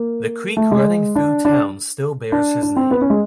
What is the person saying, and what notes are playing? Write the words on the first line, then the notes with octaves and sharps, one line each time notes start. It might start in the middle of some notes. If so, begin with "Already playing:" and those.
The creek running through town still bears his name.
Already playing: A#3
A3
G#3
D4
D4
D4
D4
C4
B3
C#4
G#3